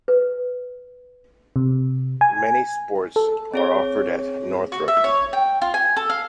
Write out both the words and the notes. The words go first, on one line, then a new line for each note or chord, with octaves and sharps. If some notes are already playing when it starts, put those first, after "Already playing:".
Many sports are offered at Northrop.
B4
C3
G#5
A4
C4 G#4 C#5
F#4
E5
C#5
G5
F4
G#5
A4
F5